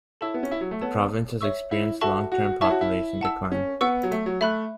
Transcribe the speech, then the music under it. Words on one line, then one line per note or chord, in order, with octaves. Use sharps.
The province has experienced long-term population decline.
E4 A4 C#5 A5 C#6 E6
B3
C#4
E4
F#3
A3
B3 A4 C#5 A5 E6
C#5 E5 C#6 E6
E4
F#4 A4 E5 A5 C#6
F#4
E4 C#5 E5 A5 C#6
F#4
E4
F#5 A5 E6
C#4
B3 F#5 C#6 E6
F#3
A3
F#3
A3 E5 B5 F#6